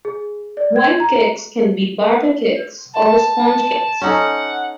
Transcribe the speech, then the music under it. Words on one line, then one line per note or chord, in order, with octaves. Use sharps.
White cakes can be butter cakes or sponge cakes.
G#4
D5
G#6
A#5
A5
C#4 D#4 A4 F#5